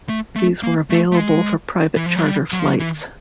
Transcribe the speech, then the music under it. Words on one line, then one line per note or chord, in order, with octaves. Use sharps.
These were available for private charter flights.
A3
A3
A#3
A3
A3
G#3
E3
F3
F#3
G3
F#3
F3
F#3
E3